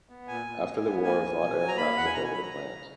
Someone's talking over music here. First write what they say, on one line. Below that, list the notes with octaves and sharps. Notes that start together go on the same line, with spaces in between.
After the war, Vought Aircraft took over the plant.
B3
A#2 G#5
A#2
G#3
B3
A#3 G#5
E2
B2
F#3
A#5
A#3 B5
E2 F#5
G#5
B2 A#5
G#5
F#3 B5
A#5
C#3
C#3